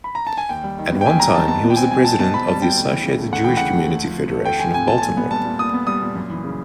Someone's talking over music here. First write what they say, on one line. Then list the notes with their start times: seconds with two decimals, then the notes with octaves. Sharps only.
At one time he was president of the Associated Jewish Community Federation of Baltimore.
0.04 B5
0.15 A#5
0.27 A5
0.38 G#5
0.49 D#2 G5
0.64 G3
0.78 D#3
0.92 B3
1.01 G5
1.06 D#2 G#5
1.20 G3 A#5
1.34 D#3 A5
1.48 B3 A5
1.63 B2
1.70 G5
1.76 C4 G#5
1.91 G3 G#5
2.05 B2 A5
2.19 B2 A5
2.33 C4 B5
2.47 G3 A5
2.62 B2 G5
2.76 D2
2.90 E3
3.04 C#3
3.18 A3
3.32 D2 F#5
3.44 E3 G5
3.57 C#3 F#5
3.75 A3
3.89 D2
4.04 F3
4.17 C3
4.32 A3
4.45 D2 G5
4.59 F3 G#5
4.74 C3 G#5
4.88 A3 A5
4.98 A5
5.02 A#2 G#5
5.17 B3
5.31 G3 A5
5.45 A#2
5.59 A#2 D#6
5.74 B3
5.87 G3 D#6
6.02 A#2
6.15 F#2
6.30 E3
6.44 C#3